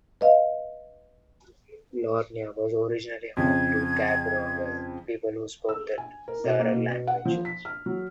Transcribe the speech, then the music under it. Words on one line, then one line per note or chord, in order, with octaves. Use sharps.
Lurnea was originally home to the Cabrogal people who spoke the Darug language.
B4 D#5 F5
F2 C#3 G#6
E6
G#5
A#4
B2
A#3
B2
B2
F#5
F3
B6
F6
F#3